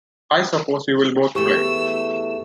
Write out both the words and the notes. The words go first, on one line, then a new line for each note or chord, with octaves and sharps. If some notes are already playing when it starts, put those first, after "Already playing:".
I suppose you will both play.
E2 E3 A3 G4 C#6 E6